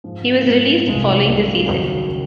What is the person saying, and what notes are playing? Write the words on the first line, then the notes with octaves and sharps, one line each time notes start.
He was released following the season.
G#2 F3 G#3
G#2 F3 G#3
C2 C3 F3 G#3 D#4
C2 C3 F3 G#3 D#4
D#2 C#3 F#3 C#4 F#4
C#3